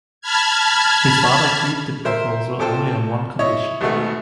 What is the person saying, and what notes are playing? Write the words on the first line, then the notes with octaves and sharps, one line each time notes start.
His father agreed the proposal only on one condition.
A5 B5 F6 G#6
A#4 C5 E5
A#2 A4 C5 G5
E4 C#5 D#5
G#1 B2 A3